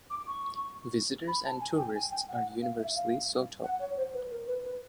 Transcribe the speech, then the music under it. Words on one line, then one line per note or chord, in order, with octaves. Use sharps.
Visitors and tourists are universally "soto".
D6
C#6
B5
A5
G#5
G5
G#5
G5
F#5
F5
E5
F5
F#5
C#5
C5
B4
A#4
B4
B4